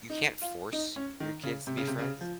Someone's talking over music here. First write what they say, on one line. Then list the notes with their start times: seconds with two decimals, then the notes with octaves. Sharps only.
you can't force your kids to be friends,
0.10 D#4
0.41 F4
0.73 D#4
0.96 C#4
1.20 D#3
1.43 C#3
1.67 C3
1.77 C#3
1.87 C3
1.99 C#3
2.21 F3